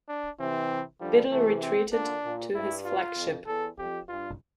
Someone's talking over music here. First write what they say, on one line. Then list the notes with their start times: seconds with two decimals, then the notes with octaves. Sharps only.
Biddle retreated to his flagship.
0.09 D4
0.39 C3 E3 C4
1.00 D3 F3 G3
1.31 C3 E3 A3
1.62 C4
1.93 A#2 D3 D4
2.24 A#2
2.54 G2 E4
2.85 F4
3.16 F2
3.47 E2 A4
3.78 F2 G4
4.08 G2 F4